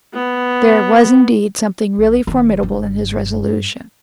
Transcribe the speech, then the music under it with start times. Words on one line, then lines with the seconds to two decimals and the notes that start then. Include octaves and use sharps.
There was indeed something really formidable in his resolution.
0.14 B3
1.98 A#1
2.27 F#1 D#3
2.63 G2